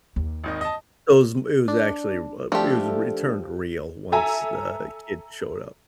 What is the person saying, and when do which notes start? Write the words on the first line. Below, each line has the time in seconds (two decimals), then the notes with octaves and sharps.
Those it was it was actually, uh, it was r it turned real once the kid showed up.
0.16 D#2
0.44 G#1 D#3 D#5
0.61 D#5 A5
1.68 D4
2.52 F3 A3 D4 G4 A4
4.12 A4 E5 G#5 A#5